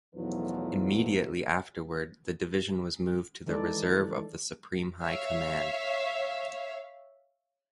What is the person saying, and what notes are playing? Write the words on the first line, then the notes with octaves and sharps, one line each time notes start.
Immediately afterward the division was moved to the Reserve of the Supreme High Command.
B1 E2 A2 F3 F#3 B4
D#3 E3 G#3 D#4 A4 D5
C#5 E5 F5